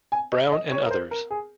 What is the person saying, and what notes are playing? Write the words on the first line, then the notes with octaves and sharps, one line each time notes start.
Brown and others.
G#5
D#5
D#5
C#5
A#4
C5
A#4
G#4